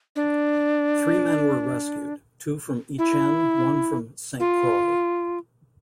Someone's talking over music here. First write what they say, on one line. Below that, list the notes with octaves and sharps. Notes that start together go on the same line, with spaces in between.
Three men were rescued, two from "Itchen", one from "Saint Croix".
D4
E4
F4